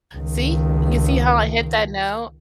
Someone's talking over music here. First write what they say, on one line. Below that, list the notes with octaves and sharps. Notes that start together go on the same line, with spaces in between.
See, you see how I hit that note?
C#2 D#3